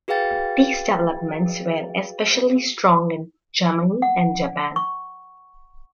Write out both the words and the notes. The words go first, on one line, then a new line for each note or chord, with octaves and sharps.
These developments were especially strong in Germany and Japan.
F#4 G#4 B4 F5 G5 A6
F#5
C#6